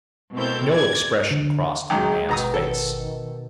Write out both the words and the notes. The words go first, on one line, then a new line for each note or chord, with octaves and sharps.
No expression crossed the man's face.
B2 C4 E4 A4 A#4 G6
D5 G#6
D3
B1 F#2 D#3 G#3 G5
G#1 B2 D#3 A#5 D#6
D#3 A4